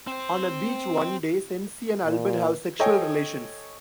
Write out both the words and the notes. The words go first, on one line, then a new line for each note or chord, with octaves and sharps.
On a beach one day, Cenci and Albert have sexual relations.
C4 C5
A#2
A4 C#5 D#5 G5 G#5